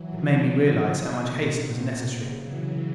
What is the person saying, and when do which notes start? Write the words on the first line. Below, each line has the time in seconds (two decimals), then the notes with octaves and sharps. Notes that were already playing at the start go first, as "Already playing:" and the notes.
It made me realize how much haste was necessary.
Already playing: E3 F#3
0.13 D#3 F3
0.42 D3 E3
0.99 C3
1.28 A#2
1.57 B2
1.85 C3
2.14 C#3
2.42 E3 F#3